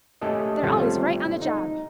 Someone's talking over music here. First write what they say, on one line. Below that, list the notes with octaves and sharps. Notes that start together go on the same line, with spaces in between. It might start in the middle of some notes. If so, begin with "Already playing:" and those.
They're always right on the job.
A3 C#4 G4 A4 D#5
G3 A3 C4 C#4 F4 A4
D#4